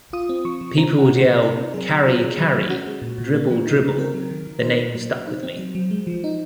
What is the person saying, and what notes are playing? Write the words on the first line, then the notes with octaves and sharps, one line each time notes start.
People would yell 'Kari, Kari' - dribble, dribble - the name stuck with me.
F4 D#6
C4
F3 C#6
F3
C4 A#5
F3
F#5
C3
C5
C3
D#4 A#4
C4
F#3 G#4
F#3
F4
C#4
F#3
F#3
C#4 F#4
G#3
A#2
A#2
A#3
F3
D#4
C#3
C4 A#4
F#3
D#3
D#3
D#4 C5
A#3
F#3
F#3
D#4
C4
F#3
F#3
G#3
F3
D#4